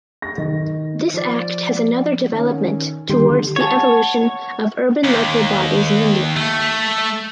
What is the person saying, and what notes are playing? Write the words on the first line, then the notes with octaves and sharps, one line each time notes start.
This act has another development towards the evolution of urban local bodies in India.
A#6
D#3
F3 D5
D#3 C#4
D3 D#3 G3 G4 C6
C#5 F#5 A5
D#2
A3